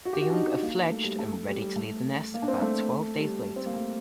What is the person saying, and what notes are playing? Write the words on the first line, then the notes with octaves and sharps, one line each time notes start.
The young are fledged and ready to leave the nest about twelve days later.
F#4
G4
F#4
D4
D#4
A#3
A3
G3
A3
A3
G3
G3
A3
A#3
D4
C4
A3
G3
C4
A#3
A3